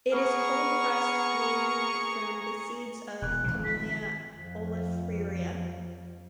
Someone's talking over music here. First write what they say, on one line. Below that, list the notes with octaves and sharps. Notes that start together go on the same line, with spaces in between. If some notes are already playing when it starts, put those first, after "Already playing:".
It is cold-pressed mainly from the seeds of "Camellia oleifera".
B3 G#4 A#5 C#6 F6
E1 F#6
G#1 F3
B6
F2 F3